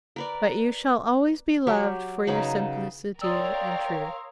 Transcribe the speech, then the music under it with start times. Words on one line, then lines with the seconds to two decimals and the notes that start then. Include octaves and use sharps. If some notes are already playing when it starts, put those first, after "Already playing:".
But you shall always be loved for your simplicity and truth.
0.16 A#4 B4 D5
1.67 F#3 G4 C#6
2.27 C#3 F#3 D#4 B4
3.21 A#4 C#5 D5 F5 G5 C6 D#6 E6